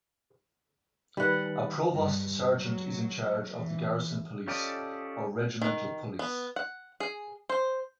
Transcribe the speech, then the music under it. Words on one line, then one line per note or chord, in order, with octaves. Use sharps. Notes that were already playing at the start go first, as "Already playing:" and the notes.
A provost sergeant is in charge of the garrison police or regimental police.
D#3 G3 B4 F#5
G2
F#3
E3
C#4 F4 G4 A4 D5 D#5
D#3
B3
F#5
G#4
C5